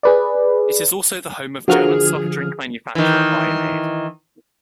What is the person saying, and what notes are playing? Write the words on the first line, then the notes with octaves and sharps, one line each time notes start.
It is also the home of German soft drink manufacturer Bionade.
G#4 B4 D5
D3 F3 F#4 G#4 A#4 F6
D#3 E3